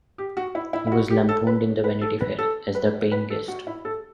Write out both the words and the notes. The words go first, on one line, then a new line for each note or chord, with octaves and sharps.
He was lampooned in "Vanity Fair" as "the paying Guest".
G4
F#4
E4
E4
E4
F#4
G4
A4
B4
B4
A4
B4
A4
B4
B4
A4
F#4
E4
A4